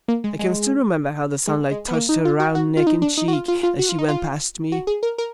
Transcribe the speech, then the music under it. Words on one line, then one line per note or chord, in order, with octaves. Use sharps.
I can still remember how the sunlight touched her round neck and cheek as she went past me.
A#3
G#3
G#3
G#3
G#3
B3
A#3
D#4
F4
F#4
F#4
F4
D#4
D4
D#4
F#4
F4
F4
F4
F#4
F4
D#4
F4
F#4
G#4
A#4
A#4